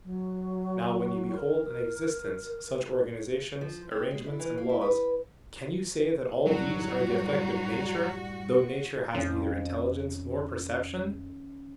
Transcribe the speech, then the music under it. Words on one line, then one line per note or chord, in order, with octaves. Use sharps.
Now, when you behold in existence such organizations, arrangements and laws, can you say that all these are the effect of Nature, though Nature has neither intelligence nor perception?
F#3
A#4
F3
C4
G#3
E4
E3
A#3
E4
B4
F#2 A2 F#3 G3 A3 F#4
F2 D#3 C#4